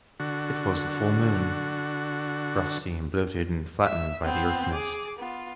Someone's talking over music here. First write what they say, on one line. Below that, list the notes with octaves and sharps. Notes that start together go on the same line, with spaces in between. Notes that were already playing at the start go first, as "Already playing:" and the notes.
It was the full moon, rusty and bloated and flattened by the earth-mist.
D3 F#4
E5
B3 C4
G#4 D6
B3 F4